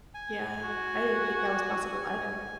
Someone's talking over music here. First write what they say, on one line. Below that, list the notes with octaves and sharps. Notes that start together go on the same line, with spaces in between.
Yeah, I didn't think that was possible either.
G#5
F#4